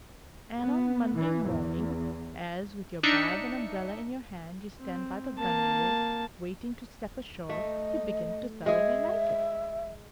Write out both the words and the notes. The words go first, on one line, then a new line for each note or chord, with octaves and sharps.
And on Monday morning, as, with your bag and umbrella in your hand, you stand by the gunwale, waiting to step ashore, you begin to thoroughly like it.
B3
E3
E2
D4 D#4 E5 C#7
C4
A#3 A5
A3 D#5
G#3 G#4 E5